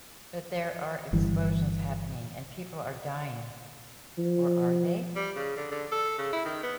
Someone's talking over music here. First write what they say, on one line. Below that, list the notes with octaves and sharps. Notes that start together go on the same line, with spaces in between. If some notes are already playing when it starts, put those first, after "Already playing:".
But there are explosions happening and people are dying - or are they?
G1 E3 G3
F3
G3
C#3
D3
D3
A4
C#3
E4
D#3
B3